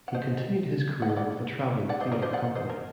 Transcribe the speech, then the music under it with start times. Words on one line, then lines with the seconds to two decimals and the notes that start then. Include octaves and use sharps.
He continued his career with a traveling theater company.
0.08 F#5
0.14 C5 D#5
1.02 F#5
1.09 D#5
1.17 D5 F#5
1.89 D5 F#5
2.01 C5 D#5
2.12 A#4 D5
2.22 C5 D#5
2.33 D5 F#5
2.55 C5 D#5
2.70 A#4